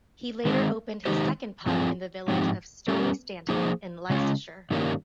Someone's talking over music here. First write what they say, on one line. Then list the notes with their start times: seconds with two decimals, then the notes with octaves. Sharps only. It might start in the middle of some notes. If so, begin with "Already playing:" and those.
He later opened his second pub in the village of Stoney Stanton in Leicestershire.
0.45 D#3 G#3 C4
1.05 D#3 G#3 D#4 G4 C5
1.66 G2 F3 C4 F4 G#4
2.28 G#2 F3 C4 D#4 G4
2.88 G3 C#4 G4 A#4
3.49 F3 A#3 D#4 G#4 C5
4.10 C#3 G#3 C#4 F4
4.71 G2 D#3 G3 A#3 C#4